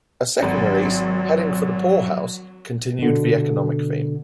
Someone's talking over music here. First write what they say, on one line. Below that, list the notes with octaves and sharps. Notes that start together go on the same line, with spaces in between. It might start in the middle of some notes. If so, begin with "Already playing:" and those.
A second release, "Heading for the Poorhouse", continued the economic theme.
G#1 F#3
B2 D3